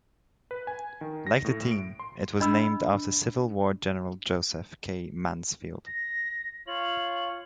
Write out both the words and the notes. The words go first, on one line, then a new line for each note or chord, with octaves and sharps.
Like the team, it was named after Civil War General Joseph K. Mansfield.
B4
G#5
D#3
A#6
A2
D7
C6
D4 D#5 B5 E6
A#6
F4 C#5 F#7